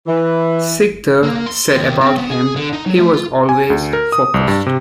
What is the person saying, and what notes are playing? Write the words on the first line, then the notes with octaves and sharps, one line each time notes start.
Sikdar said about him, He was always focused.
E3
A#3
C6
D#2
C4
B3
G#4
D3
D#4
F#3
A3
F4
G#5
D2
A#4
D#6
C2
G2
C3